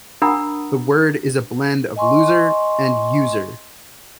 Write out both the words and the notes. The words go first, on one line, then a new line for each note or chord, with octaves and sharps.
The word is a blend of "loser" and "user".
D4 A#4 F#5 A#5 B5 D#6
D#5 G#5 C6 C#6